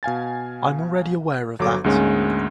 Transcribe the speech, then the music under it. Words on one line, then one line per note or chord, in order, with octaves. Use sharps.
I’m already aware of that.
B2 F5 G#5 A6
G1 F#3 A4 D6
D2 G#2 G#3 A#3 C#4